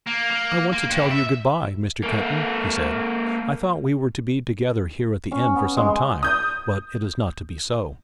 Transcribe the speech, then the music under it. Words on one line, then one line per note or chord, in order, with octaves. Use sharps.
"I want to tell you good-bye, Mr. Kenton," he said, "I thought we were to be together here at the inn for some time, but it is not to be so."
A#3
A#3
A#3
G2
E5
A#3 A4
C#4
B3
G#3
D#6 G6